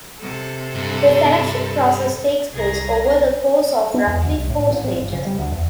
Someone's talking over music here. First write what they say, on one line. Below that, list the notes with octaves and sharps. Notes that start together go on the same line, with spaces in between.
The selection process takes place over the course of roughly four stages.
C3 A4
G2
C2 G#4 A#5
B3
E2
D2
C2
A2
A1
C4
G1
C#3
G3
D2
E2